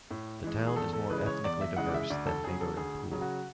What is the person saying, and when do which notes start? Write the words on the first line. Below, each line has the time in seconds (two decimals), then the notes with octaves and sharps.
The town is more ethnically diverse than neighbouring Poole.
0.11 A2
0.44 E3 G#3
0.67 G#4
0.76 E2 A4
0.93 A4
1.10 C#3 E3 G#3 B4
1.26 C#5
1.44 E2 D5
1.61 E5
1.77 C#3 E3 G#3 F#5
1.87 D5
1.94 E5
2.10 D2 D5
2.27 A4
2.44 C#3 F#3 G#4
2.61 A4
2.77 D2 G#4
3.11 C#3 F#3
3.21 F#4